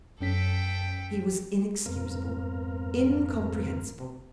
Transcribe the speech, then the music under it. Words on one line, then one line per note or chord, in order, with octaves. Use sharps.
He was inexcusable, incomprehensible!
F#2 C#4 A4 G5 B6
F2 G#2 B3 C4 A#4 F5